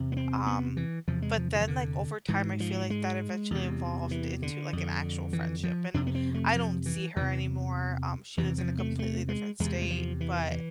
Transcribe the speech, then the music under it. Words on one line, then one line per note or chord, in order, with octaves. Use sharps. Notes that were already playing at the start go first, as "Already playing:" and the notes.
Um, but then, like, over time, I feel like that eventually evolved into, like, an actual friendship. And I don't see her anymore; um, she lives in a completely different state, but
Already playing: E2 C3
B3
C4
B3
E3
E2 C3 F3
G#3
F3
D3
E3
D3
G#2 E3
F3
G#3
E2 C3
E3
D3
F2 D3
E3
F3
F2 C3 D4
B3
C4
A3
F3
E3
E2 C3 E3
E2 C3 E3
F3
A3
A3
G#3
E2 C3 G#3
G#3
F3
E3
E3